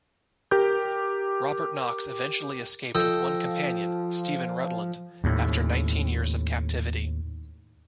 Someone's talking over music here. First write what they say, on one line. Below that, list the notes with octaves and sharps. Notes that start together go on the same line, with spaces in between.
Robert Knox eventually escaped with one companion, Stephen Rutland, after nineteen years of captivity.
G4 A#4 D6 G6
F3 A4 D#5 G5
D#2 A2